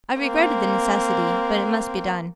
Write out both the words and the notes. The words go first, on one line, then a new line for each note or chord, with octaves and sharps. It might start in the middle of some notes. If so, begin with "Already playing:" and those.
I regretted the necessity, but it must be done.
A#3 C4